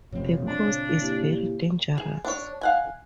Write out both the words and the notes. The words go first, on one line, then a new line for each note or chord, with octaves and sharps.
The coast is very dangerous.
F1 A#2 C4 C#5
C#3 D4
A#3 E4 G4
G#4
D4 C#5
F5 F#5 G#5